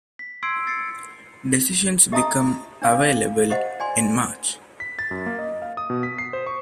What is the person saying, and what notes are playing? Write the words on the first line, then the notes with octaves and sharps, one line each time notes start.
Decisions become available in March.
B6
C6 E6 G#6 C7 D7
A6 C7 C#7
G4 D#5 E5 A5 A#5 D#6
D4 C#5 F5 D6
G4 C5 D#5 F#5
D5 G#5 C6
B6
A6
F#2
A#3
D#5
F5
D#6
B2
B6
C7
C5
C#6